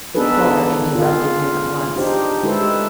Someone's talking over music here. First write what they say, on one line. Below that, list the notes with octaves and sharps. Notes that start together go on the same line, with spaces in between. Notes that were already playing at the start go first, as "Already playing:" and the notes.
Calder interrupted him at once.
B3 D4 D#4 G#4 A4 B4
F4 G#4
D4 D#4 G4 C5
G#3 E4 G4 A4 B4 C5